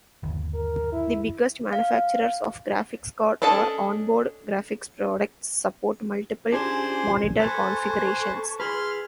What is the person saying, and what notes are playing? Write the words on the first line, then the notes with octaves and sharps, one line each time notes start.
The biggest manufacturers of graphics card or on-board graphics products support multiple monitor configurations.
G1 D#2
A#4
E4
F5
C#4 D4 A4 D#5 A5
C#4 D4 F4 G4 G#4 C5 G#5 C6
A4 B4 C5 G#5 A5 C#6
G#4 B4 C6 F6